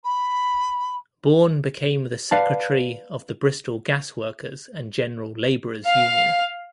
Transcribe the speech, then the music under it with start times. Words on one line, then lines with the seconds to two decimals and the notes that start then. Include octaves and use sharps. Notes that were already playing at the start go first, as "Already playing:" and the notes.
Born became the secretary of the Bristol Gas Workers and General Laborers Union.
0.04 B5
2.31 B4 D5 F5 F#5 A5
5.86 F5